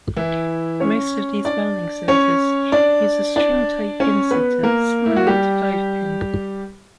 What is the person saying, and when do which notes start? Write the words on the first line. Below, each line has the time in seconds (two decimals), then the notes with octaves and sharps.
Most of these bowling centers use a string type pinsetter similar to five pin.
0.17 E3 E4
0.80 C#4 C#5
1.45 D4 D5
2.08 C#4 C#5
2.72 D4 D5
3.36 D4 D5
4.00 C#4 C#5
4.31 B3 B4
4.63 A#3 A#4
5.06 E4
5.16 F#4
5.27 G3 G4